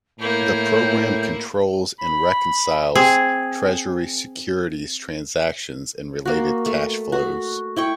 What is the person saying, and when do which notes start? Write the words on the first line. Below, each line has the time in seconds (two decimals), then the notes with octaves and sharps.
The program controls and reconciles Treasury securities transactions and related cash flows.
0.20 A2 A#3 E4 C#5 G6
2.01 B5
2.95 C4 G#4
6.25 A#3 F#4
6.66 A3
7.12 F#4
7.76 E4 G5 C#6